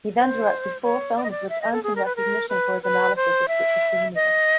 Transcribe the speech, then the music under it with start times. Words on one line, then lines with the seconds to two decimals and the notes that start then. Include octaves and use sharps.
He then directed four films which earned him recognition for his analysis of schizophrenia.
0.18 C5
0.83 C#5
1.17 D5
1.24 D#5
1.31 D5
1.49 E5
1.61 D#5
1.72 A4
1.83 G#4
1.96 A#4
2.05 B4
2.16 A#4
2.49 B4
2.83 B4
3.16 C5
3.48 E5
4.15 D#5